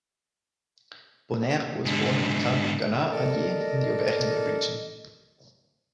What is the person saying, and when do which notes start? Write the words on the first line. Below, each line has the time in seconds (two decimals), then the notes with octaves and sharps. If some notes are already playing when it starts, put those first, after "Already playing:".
Bonnaire was born in the town of Gannat, Allier, in the Auvergne region.
1.85 G#2 D3
3.12 A4 A#4 D5 D#5